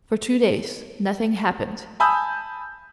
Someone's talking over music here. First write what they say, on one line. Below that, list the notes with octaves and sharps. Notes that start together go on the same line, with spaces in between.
For two days nothing happened.
G#5 A5 B5 D#6 E6 G6